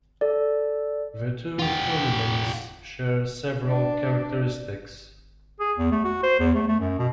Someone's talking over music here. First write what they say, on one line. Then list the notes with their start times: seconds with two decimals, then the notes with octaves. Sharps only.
The two tournaments share several characteristics.
0.21 A4 D5
1.59 F4 G4
3.67 D4
5.60 G#4
5.77 E2
5.92 A3
6.05 F#4
6.23 C5
6.39 E2
6.55 A3
6.68 A3
6.79 F#2
6.99 B2